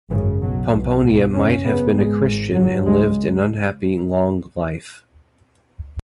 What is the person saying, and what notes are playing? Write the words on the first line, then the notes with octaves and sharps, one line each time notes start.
Pomponia might have been a Christian and lived an unhappy long life.
G#1 F#2 C#3 E3
B1 B2 F#3
B1 B2
C#2 B2
F#1 E2 C#3 C#4
F#1 F#2 C#3 B3
G#1 G#2 G#3
G#1 G#2
F#1 F#2 C#3 F#3
C#2 C#3 G#3